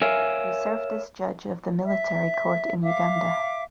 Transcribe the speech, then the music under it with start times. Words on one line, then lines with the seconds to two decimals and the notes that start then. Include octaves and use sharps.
He served as judge of the military court in Uganda.
0.02 A#4 C#5 E5 F5 G#5
1.85 E5
2.83 E5 F5 D6